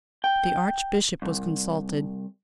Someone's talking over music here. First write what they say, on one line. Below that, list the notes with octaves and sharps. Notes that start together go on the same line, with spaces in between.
The Archbishop was consulted.
G5
C2